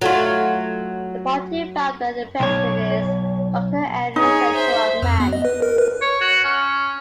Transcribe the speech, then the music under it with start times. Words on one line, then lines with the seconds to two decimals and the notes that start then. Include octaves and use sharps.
The party founder and president is Doctor N. Sethuraman.
0.01 F#3 A3 F4
2.40 B1 C#5
4.16 D#4 G#4 C#5
4.55 C5 E5
5.02 F2
5.20 B3
5.33 D#5
5.45 B4
5.62 A#4
5.78 B4
6.01 C#5
6.21 F#4
6.44 C#4